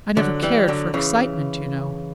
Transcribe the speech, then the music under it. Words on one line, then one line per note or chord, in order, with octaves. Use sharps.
I never cared for excitement, you know.
D3 F#3
E3 G3
D3 F#3
C#3 E3